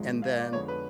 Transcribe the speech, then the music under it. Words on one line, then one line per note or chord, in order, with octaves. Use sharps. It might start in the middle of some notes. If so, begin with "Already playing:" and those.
and then
Already playing: G#1 G#2 F3 G#3
F5
D5
F2 D3 G#3 B3 C#5
B4